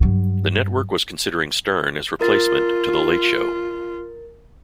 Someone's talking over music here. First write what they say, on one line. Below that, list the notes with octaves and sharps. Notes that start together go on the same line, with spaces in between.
The network was considering Stern as replacement to "The Late Show".
G2 F#3
F4 A#4 A6